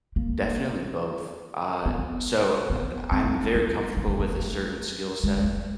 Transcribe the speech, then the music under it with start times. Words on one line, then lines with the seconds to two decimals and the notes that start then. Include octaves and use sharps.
Definitely both. Uh, so, I th I'm very comfortable with a certain skill set.
0.16 A#3
1.86 B3
2.70 B3
3.12 C4
3.55 B3
3.97 A#3
4.08 A3
4.19 A#3
4.39 A3
5.24 G#3
5.44 A3